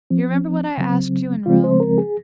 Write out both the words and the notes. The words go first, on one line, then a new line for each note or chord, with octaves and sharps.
Do you remember what I asked you in Rome?
F3 C4
C#3 F#3 C4
C#3 F3 G#3 C4 F4
C5
A#4
G#4